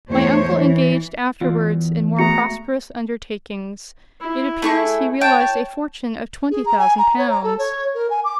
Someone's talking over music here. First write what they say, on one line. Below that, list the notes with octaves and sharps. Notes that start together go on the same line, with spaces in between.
My uncle engaged afterwards in more prosperous undertakings: it appears he realised a fortune of twenty thousand pounds.
E2 A3 C5 C#5
E3
E2 F4
A3 B3 F#4 G#4 A#5 C#7
E4
A3 G#4 C#6
C#5 G5 A5
G#4
A#5
G#5
A#5
C#5
A#5
A4
C#5
A#4
G#5
D6